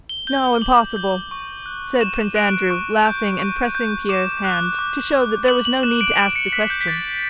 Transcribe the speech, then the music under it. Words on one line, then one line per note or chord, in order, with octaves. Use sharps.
"No, impossible!" said Prince Andrew, laughing and pressing Pierre's hand to show that there was no need to ask the question.
G7
G6 G7
G7
G7
D6 F#7
G6
C#6
F#6
C#6 E7
F#6 D7
C#6
G6
C#6
G6
D6 E7
F#6
D6
F#6
D6 F#7
F#7
F#6 E7
D7
D6 D7
C#7
F#6 B6
G6
B6
D6 A6